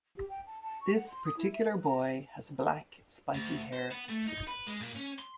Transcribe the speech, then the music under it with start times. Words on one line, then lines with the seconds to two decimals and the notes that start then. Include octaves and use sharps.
This particular boy has black spiky hair.
0.17 G4
0.29 G5
0.47 A5
0.62 A5
0.81 C#6
0.95 F#5
1.08 C6
1.25 D#6
1.37 E4
1.52 E5
1.66 B4
1.83 A#5
3.34 D2
3.73 C5
3.90 B3
4.09 A3
4.27 D#4
4.47 B4
4.67 G#3
4.81 A#2
4.95 C#4
5.19 C6